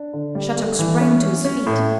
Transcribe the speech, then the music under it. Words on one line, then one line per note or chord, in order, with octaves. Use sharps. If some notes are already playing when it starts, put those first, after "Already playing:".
Shattuck sprang to his feet.
Already playing: D4
D3
G3
A3
E3
C#4
C#4
C#4
A2